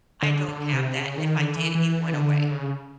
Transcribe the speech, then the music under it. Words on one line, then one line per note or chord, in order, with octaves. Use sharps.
I don't have that, and if I did, it went away.
D3
D3
C3
C#3
D#3
D3
E3
E3
D3
C#3